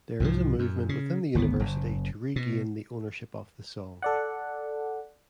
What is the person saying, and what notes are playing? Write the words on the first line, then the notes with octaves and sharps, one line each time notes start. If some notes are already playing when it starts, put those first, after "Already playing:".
There is a movement within the university to regain the ownership of the song.
C2 G#2 E3 F3
F#2
C#3
G#1 D2 C#3 B3
F#1
B2
A4 D5 F#5